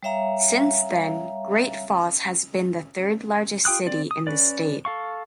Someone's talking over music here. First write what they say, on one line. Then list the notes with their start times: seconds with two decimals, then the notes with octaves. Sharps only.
Since then Great Falls has been the third largest city in the state.
0.03 G3 C#5 E5 F5 A#5
3.65 F4 G4 G5 D#6 F#6
3.86 C4 D5
4.11 D#6
4.27 C#4 B4 D5
4.85 A4 F5 C#6